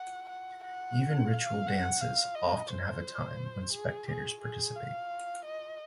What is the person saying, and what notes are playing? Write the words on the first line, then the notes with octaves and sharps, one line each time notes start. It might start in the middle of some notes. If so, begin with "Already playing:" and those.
Even ritual dances often have a time when spectators participate.
Already playing: F#5
F#5
F#5
F5
F#5
F5
D#5
C5
G#4
G#4
G#4
F5
D#5